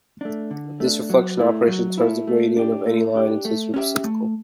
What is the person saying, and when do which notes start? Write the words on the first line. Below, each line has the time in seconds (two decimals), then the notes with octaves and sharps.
This reflection operation turns the gradient of any line into its reciprocal.
0.21 A3 D4
0.51 D3
0.80 A3 D4
1.10 F#3
1.39 A3 E4
1.68 F#3
1.98 A3 E4
2.27 A3
2.56 D4 G4
2.86 A3
3.15 D4 G4
3.45 A3
3.74 C#4 G4 B4 E5
4.04 A3